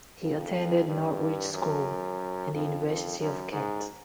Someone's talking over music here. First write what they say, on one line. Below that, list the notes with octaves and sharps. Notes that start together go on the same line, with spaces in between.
He attended Norwich School and the University of Kent.
F2
G2
F#2
F2
F2
F#2
G#2